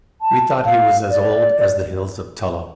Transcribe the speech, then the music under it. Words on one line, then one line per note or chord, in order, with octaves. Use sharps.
We thought he was as old as the Hills of Tullow.
A5
F5
D5